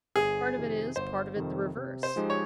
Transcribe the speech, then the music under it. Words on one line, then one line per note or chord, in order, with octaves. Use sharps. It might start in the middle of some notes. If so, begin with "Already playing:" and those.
"Part of it is, part of it the reverse."
G1 G#4
F2 C3 D#3
G1 C5
F2 C3 D#3
C3
C5
F3 G#3 D#4 G4
C#5